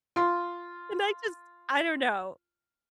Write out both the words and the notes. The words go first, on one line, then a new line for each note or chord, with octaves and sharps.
and I just, I don't know.
F4 C6